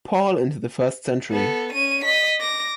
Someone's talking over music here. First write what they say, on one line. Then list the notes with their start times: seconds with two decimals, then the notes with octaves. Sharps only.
Paul into the first century.
1.31 B3 A4
1.73 C#4 D#7
2.05 D#5 B6
2.41 D6 A#6